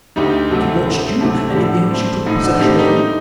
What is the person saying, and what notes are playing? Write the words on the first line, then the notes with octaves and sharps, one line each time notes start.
She watched you, and in the end she took possession of you?
D2 D#4 G4
C3 F#3 A3
D2
C3 F#3 A3
G4
A2 D4 F#4
A3 C4
A2 D#4
D4 F#4
A3 C4 D#4 G4
D#4 G4
D#4